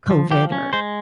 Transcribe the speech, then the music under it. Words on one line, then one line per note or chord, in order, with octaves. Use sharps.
COVID or,
F3
F3 G4
C#4
G#3 C5